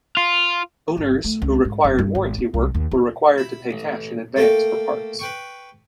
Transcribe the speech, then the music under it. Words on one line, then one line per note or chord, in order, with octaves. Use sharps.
Owners who required warranty work were required to pay cash in advance for parts.
F4
G1
A3
C#2
G#2
F#1
G2
G#1
B3
C2
D#2
F4
E4
A1
A3 A#3 A4 G5
B4 G5 C#6